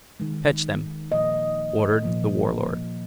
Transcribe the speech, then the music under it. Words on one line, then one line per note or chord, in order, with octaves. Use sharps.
"Fetch them," ordered The Warlord.
D#3 G#3
A#2 F3 A#3 D#5
A#2 F3 A#3